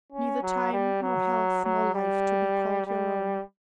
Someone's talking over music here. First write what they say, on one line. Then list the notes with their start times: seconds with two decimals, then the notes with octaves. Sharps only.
Neither time, nor health, nor life, to be called your own.
0.12 C#4
0.43 F#3
0.73 G3
1.03 F#3
1.64 F#3
1.94 G3
2.86 G3